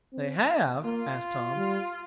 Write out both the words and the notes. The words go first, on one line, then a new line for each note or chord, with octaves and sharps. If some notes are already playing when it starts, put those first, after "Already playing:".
"They have?" asked Tom.
C4
A#3 F4
G3